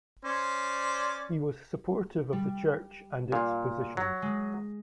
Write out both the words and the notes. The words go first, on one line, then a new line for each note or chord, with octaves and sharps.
He was supportive of the church and its positions.
C#4 C5 D5
G3
A#2 F5
F#3
G#3